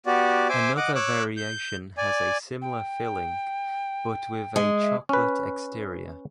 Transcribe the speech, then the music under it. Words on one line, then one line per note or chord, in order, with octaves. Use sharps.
Another variation has a similar filling, but with a chocolate exterior.
B3 F#4 G4 D5
C5 E5 G#5 D6
D#5 F#5 D6
C#5 D6 E6 F#6
G6
D5 G#5
G5
G#3
E5
C#4 B4